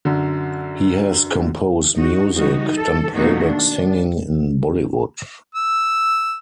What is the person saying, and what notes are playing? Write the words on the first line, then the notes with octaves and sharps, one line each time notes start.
He has composed music, done playback singing in Bollywood.
F#2 D3
D#4 F#4
E3 G3 D#4 F#4
A4
B2 D#3 A3 A#3 D#4 F#4
D4
E6